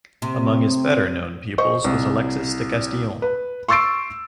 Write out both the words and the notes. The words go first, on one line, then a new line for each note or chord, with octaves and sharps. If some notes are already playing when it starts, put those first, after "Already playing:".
Among his better known pupils was Alexis de Castillon.
C3
C5 D#5 C#6
C2
B4
C6 C#6 E6 A6 C7 D7